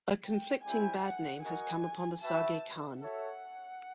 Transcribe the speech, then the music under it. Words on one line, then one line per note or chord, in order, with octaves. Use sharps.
A conflicting bad name has come upon the Sage Khan.
G5
G3 C4 E4 G4 G#5
F#5
F#4 A#4 D#5 F#5 G#5
F#4 B4 E5 G5 A5
F#4 A4 C#5 E5 F#5